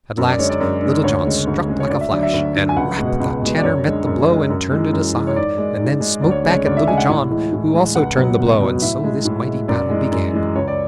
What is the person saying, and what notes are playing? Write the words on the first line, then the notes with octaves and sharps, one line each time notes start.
At last Little John struck like a flash, and--"rap!"--the Tanner met the blow and turned it aside, and then smote back at Little John, who also turned the blow; and so this mighty battle began.
F#2
D5
D3 G#3 C#5
D5
F#2
D3 G#3
D2 C#5
C#3 G#3
D2
C#3 G#3
C#5
D2 D5
E5
D3 F#3 D5
E5
D2
D3 F#3
G#5
C#2 F#5
B2 G#3
C#2
B2 G#3
D5
F#2 C#5
D3 G#3
F#2
D3 G#3
F#2
E3 G#3
F#2
E3 G#3
C#5
G#2 D5
G#3
G#2
G#3
D2 D5
C#5
C#3 G#3 C#5
D2 D5
E5
C#3 G#3 G#5
F#5
A2
E3 G#3
A2
E3 G#3
C#2 F#5
B2 F#3
C#2
B2 F#3
A2 E5
G#3
A2
G#3
F#2 D5
E3 G#3
F#2
E3 G#3
C#2 C#5
D5